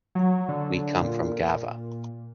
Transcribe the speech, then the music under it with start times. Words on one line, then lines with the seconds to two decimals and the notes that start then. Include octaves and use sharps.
We come from Gavà.
0.15 F#3
0.49 D3
1.03 A#2